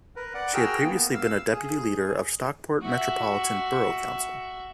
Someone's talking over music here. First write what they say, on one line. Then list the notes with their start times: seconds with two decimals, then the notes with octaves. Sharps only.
She had previously been a deputy leader of Stockport Metropolitan Borough Council.
0.16 A#4 B4
0.34 D5 F#5
0.54 F#4 G#4 A#4 G5 E6 F6
0.84 A#3 B3
1.14 F5 E6
1.52 G#4
2.82 F#4 E5